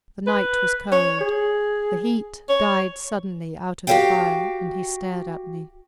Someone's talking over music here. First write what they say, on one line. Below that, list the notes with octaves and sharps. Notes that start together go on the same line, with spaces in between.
The night was cold; the heat died suddenly out of the fire, and he stared at me.
B4
C#5
G#4
C#5
F#4 G4 A#4 C#5 F5 G5